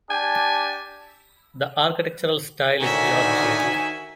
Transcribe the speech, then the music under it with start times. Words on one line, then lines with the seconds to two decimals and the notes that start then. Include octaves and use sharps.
The architectural style is Georgian.
0.11 D4 G4 G#5 A5
2.80 D2 A2 D#3 F#4 E5 G#5